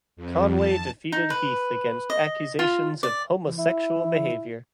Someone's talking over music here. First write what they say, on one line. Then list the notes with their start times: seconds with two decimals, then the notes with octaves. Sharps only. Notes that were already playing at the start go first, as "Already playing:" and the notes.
Conway defended Heath against accusations of homosexual behaviour.
0.17 F2
0.55 A5
1.12 D#4
1.30 B4
2.10 D#5
2.59 F4
3.03 D5
3.58 E4